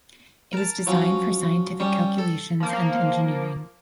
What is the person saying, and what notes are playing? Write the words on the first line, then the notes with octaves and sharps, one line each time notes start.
It was designed for scientific calculations and engineering.
A#4 A5
F3 F#3 C#4
G3 C#4
A4
F3 A#3